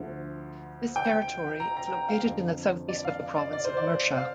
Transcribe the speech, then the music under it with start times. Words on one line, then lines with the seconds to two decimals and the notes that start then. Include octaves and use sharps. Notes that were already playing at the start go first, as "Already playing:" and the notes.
This territory is located in the southeast of the province of Murcia.
Already playing: D2 D3 F3
0.96 G5
1.60 A#5
1.77 A#5
1.93 A#5
2.08 F5
2.24 F2 D3 F3
2.88 D5
3.05 F5
3.36 D5
3.53 D5
3.65 C5
3.77 D5
4.17 F5